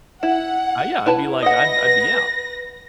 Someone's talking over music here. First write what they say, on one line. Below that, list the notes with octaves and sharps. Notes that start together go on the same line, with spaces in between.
Uh, yeah, I'd be like, "I'd I'd be out,"
E4 F#5
E4 B4 A5
B4 D#5 E5 F#5 A#6